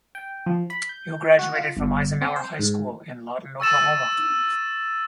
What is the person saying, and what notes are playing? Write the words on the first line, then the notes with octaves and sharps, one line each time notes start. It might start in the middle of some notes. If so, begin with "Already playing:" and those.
Hill graduated from Eisenhower High School in Lawton, Oklahoma.
G5
F3
B5
G6
F#4
F4
G1
C4
C5
G#2
C#6 E6 A6 E7